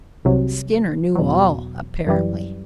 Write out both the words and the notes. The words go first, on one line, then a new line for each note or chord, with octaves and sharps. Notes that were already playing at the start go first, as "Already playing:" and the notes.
Skinner knew all, apparently.
C2 C3 F#3
E2 B2 F#3
F#2 E3 G3